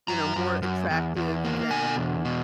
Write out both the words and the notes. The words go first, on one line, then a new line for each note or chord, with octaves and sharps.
you know, more attractive than,
F#2 A#5
F#2
F#2
E2
E2
A#3
B2 G#5
E2
B2